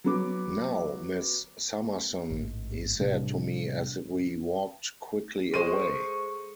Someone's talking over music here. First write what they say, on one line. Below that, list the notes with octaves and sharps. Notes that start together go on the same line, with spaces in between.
"Now, Miss Summerson," he said to me as we walked quickly away.
F#3 B3 D6
A1 G#2
A2 C3 G3 D4
G#3 G#4 A4 C5 C#6 D#7